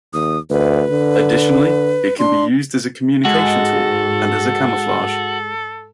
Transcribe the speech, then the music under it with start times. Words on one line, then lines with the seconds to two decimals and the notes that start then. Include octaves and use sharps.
Additionally, it can be used as a communication tool and as a camouflage.
0.13 D#2 D#6
0.50 D2 B4
0.91 D3
2.19 D4 C6
3.25 G#2 G#3 F#4 A4